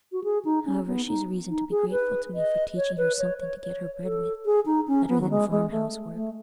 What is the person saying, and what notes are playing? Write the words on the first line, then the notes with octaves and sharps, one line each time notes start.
However, she's reason to be grateful to me for teaching her something to get her bread with, better than farm-house work.
F#4
G#4
D#4
C#4
B3
D#4
D#4
G#4
B4
D#5
C#5
B4
C#5
C#5
C#5
A4
G#4
D#4
C#4
B3
F#3
G#3
G#3
A3
A3